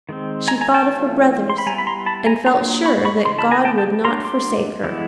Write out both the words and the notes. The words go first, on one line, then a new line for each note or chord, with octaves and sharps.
She thought of her brothers, and felt sure that God would not forsake her.
D#3 G#3 C4
G#5 A#5
G#5 A#5
G5 A5
E3 A3 C4 F4
C6
B5
G3 B3 E4 G#5 A#5
B5
A#5 C6
A5 B5
G#5 A#5
F#3 A#3 D4 F4 A#5 C6
B5 C#6
B5 C#6
C#3 E3 C6
A5 B5
G#5 A#5
G5 A5
G5 A5
F#3 A3 D4 A#5 C6
C6 D6
E3 G#3 B3 E4